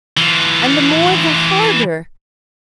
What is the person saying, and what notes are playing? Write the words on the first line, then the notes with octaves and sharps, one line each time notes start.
And the more the harder!
E3 F4